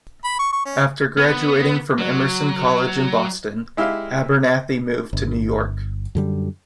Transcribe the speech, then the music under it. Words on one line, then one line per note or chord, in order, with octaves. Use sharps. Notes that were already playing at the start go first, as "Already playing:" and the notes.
After graduating from Emerson College in Boston, Abernathy moved to New York.
B5
C#6
C#6
C#4
B3
F#3
G#3 E4 G4 E5 F5
G1
F#2 D3 G3